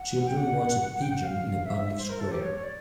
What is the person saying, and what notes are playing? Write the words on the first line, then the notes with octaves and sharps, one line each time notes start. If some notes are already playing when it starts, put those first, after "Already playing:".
Children watch a pigeon in a public square.
Already playing: F#5
G5
F#5
G5
F#5
F5
E5
E5
C5
A#4
A4
G4
C#5
C#5
D5